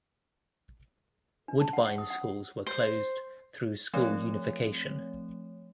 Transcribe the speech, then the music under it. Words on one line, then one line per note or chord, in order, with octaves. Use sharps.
Woodbine schools were closed through school unification.
D4
A5
F#5
F#5
D#6
F#5
C5
F3 A3 C4 C#5